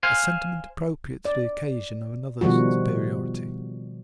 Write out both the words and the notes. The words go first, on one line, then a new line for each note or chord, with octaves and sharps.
A sentiment appropriate to the occasion of another's superiority.
C5 F5 G#5
D5
B2 D#3 F3 G3 F#4